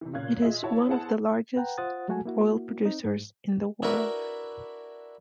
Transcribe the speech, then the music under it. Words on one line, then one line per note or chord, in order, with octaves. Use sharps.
It is one of the larges oil producers in the world.
C3 E3
A#2 C#3 C#5 F5 F#6 G#6
F4 G#4 D#5 E5
E4 F#4 C#5 A5
B3 E4 G#4 C5 F#5 A5
B4 F#5 G5 A#5
F4 C5 F#5 D#6 A6
F#3 G#3 A3 F#4 A4 G#5
A#3 E4 F#4
C4 D#4
G#2
D4 E4 F#4 A#4 B4